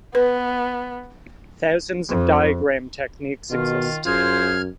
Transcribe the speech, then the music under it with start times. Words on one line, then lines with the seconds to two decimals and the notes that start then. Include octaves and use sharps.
Thousands of diagram techniques exist.
0.15 B3 B4
2.09 F2
3.51 B2 D#3 F4
4.05 F#2 F4 G#4 C5 F6 G#6